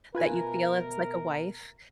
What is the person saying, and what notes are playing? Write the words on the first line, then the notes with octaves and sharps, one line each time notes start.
that you feel as like a wife,
B2 A3 F4 A#4 B4 G#5